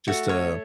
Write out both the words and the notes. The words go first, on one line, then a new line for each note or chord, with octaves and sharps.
just to
A3 F#4
C#5